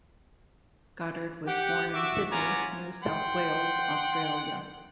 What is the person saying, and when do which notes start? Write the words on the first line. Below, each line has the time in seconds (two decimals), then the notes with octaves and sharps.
Goddard was born in Sydney, New South Wales, Australia.
1.47 G4 F#5
1.93 F#4 E5 D6
2.30 B3 C#4 F4 G#5 A#5 D6
3.03 F#5 G5 C6